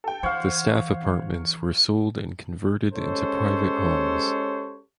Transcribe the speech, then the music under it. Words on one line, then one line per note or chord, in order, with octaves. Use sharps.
The staff apartments were sold and converted into private homes.
A4 G5
E3 C5 C#5 F5 F#5
G#3 C#4 G4 A4 C5 C#5